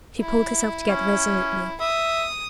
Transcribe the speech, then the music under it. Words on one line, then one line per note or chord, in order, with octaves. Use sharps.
She pulled herself together resolutely.
E4
C#4
E5 D#6